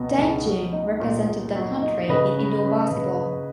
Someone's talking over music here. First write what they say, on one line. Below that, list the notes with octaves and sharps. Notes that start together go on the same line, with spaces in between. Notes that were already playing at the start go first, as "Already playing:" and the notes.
Dame June represented the country in Indoor Basketball.
Already playing: C#2 B2 B3 D#5
C#2
F#3
D#4
A#2
A#2
F#3
D#4
C#3 B4 D#5
C#4
C#4
C#3